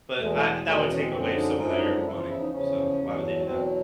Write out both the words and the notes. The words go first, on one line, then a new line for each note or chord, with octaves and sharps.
But, I that would take away some of their money. So, why would they do that?
E2 B2 G#3 A3
A3
G#3
E2 B2 G#3 A3
B3
C#4
C4
F#2 D3 F3 G#3 C4
D#4
F#2 D3 F3 G#3 D#4
E4
D#4
E2 C#3 F3 E4
F4
E4
D#4
E2 C#3 F3 C#4
E2 B2 F#3
E2 B2 F#3 C4